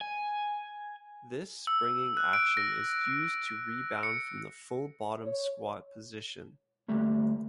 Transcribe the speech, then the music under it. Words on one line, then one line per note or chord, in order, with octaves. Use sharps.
This springing action is used to rebound from the full bottom squat position.
G#5
E6
F#6
D7
A#6
C#7
C#5
D2 G3 A3 A#3